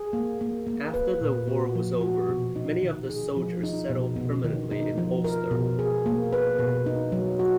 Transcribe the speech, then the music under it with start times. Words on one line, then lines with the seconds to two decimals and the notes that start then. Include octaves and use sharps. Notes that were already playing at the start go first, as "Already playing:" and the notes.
After the war was over, many of the soldiers settled permanently in Ulster.
Already playing: G#4
0.13 A#3
0.41 A#3
0.67 A#3
0.94 B4
1.21 A#2
1.48 F#4
1.75 F3
2.01 F#4
2.29 B2
2.56 D#4
2.83 D#3
3.10 G#4
3.36 F3
3.64 D#4
3.89 B2
4.16 B2
4.44 D#3
4.71 D#4
4.98 F3
5.24 A#4
5.51 B2
5.79 G#4
6.06 A#3
6.33 B4
6.59 B2
6.86 D#4
7.12 F#3
7.39 F#4